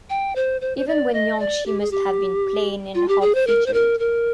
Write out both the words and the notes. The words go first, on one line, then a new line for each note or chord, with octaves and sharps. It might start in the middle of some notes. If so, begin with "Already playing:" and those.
Even when young she must have been plain and hard-featured.
G5
C5
C5
C5
D5
D#5
D5
G4
G#4
G4
F4
G4
G#4
C5
A#4
C5
A#4
A#4